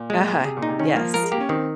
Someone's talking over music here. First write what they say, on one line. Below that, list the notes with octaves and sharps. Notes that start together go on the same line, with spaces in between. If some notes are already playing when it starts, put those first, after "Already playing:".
Uh-huh, yes.
Already playing: A#2
G#3
G#4
C3 G#4
A#2
D#4
C3
D#3 C#4
F3 A#3
F3 A#4
G#3
A#3 G4
C#4
D#3 C4